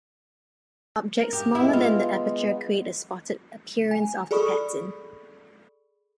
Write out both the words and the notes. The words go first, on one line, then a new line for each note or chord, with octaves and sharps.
Objects smaller than the aperture create a spotted appearance of the pattern.
A#4
G4
G#3 B3 E4
F4
G#5
G#4 A4 D5 B5 C#6 D#6